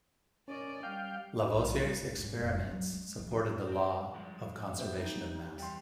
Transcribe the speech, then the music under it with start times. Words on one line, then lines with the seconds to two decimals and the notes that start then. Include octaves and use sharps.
Lavoisier's experiments supported the law of conservation of mass.
0.48 C#4 A#4 D5 D#5
0.83 G3 F5 G5
1.54 B1
1.81 G3
2.03 G3
2.19 G#2
2.40 F1
2.58 F3
2.71 F#3
2.93 G#3
3.19 F3
3.31 B3
3.67 C4 G4
4.14 G2 F3 G#3
4.79 B3 G4 C5 E5
4.96 D#4 G4
5.58 E2 G3 G5 C6